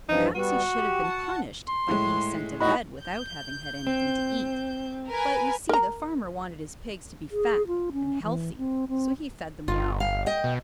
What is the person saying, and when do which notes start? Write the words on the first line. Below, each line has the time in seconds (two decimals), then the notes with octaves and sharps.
Perhaps he should have been punished by being sent to bed without having had anything to eat, but you see the farmer wanted his pigs to be fat and healthy, so he fed them well.
0.09 G2 E3 F3 D#4
0.35 G3 B3 F#4
0.76 G4
1.03 F#5 A5
1.68 C6
1.88 A2 G#3
2.61 A2 D#4 F#4 D#5 B5
3.02 G6
3.87 C4
5.09 A#4 B4 G#5
5.69 A#4 A#5
7.31 G#4
7.67 F4
7.92 C#4
8.23 E3
8.58 C4
8.88 C4
9.68 G1 F4
10.00 F5
10.26 D#5 G5
10.44 B2